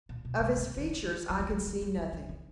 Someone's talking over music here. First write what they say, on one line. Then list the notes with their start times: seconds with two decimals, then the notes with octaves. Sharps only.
Of his features I could see nothing.
0.09 A#2
0.25 B2
0.40 C3
0.56 C3
0.66 C#3
0.77 D3
0.88 D#3
1.03 E3
1.29 F#3
1.40 F3
1.50 F#3
1.66 G3
1.82 G3
1.98 F#3
2.13 F3
2.29 E3